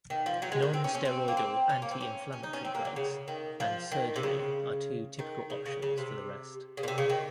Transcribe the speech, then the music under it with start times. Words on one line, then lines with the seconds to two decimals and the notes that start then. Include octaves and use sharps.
Non-steroidal anti inflammatory drugs and surgery are two typical options for the rest.
0.10 D#3
0.26 F3
0.42 F#3
0.52 G#3
0.62 D#3
0.73 C4
0.84 C#4
0.95 C#4
1.05 C4
1.28 A#3
1.37 C4
1.69 C#4
1.82 A#3
1.91 C4
2.01 C#4
2.33 C#4
2.43 D#4
2.53 C#4
2.65 C4
2.75 A#3
2.85 F#3
2.96 C#3
3.28 D#3
3.60 F3
3.91 D#3
4.16 C3
4.23 C#3
5.19 D#3
5.50 C#3
5.66 C#3
5.82 C#3
5.98 C3
6.77 C#3
6.83 A#2
6.88 C3
6.98 C#3
7.10 D#3